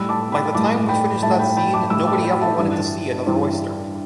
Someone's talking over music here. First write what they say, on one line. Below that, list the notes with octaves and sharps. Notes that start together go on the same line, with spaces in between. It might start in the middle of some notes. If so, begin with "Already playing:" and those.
By the time we finished that scene, nobody ever wanted to see another oyster.
Already playing: A2 G3 B5 E6
A5 D6
G5 B5
A2 G3 A5 D6
G5 B5
A2 G3 E5 A5
G5 B5
G5 B5
A5 D6
A2 G3 B5 E6
A5 D6
G5 B5
E5 A5
G2 E3 G3
G2 E3 G3